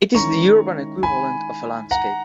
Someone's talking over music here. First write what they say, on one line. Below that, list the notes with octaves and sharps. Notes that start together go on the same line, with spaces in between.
It is the urban equivalent of a landscape.
D#3 G#3 C#4 E4 A#5 C#6
G#5 B5
F#5 A#5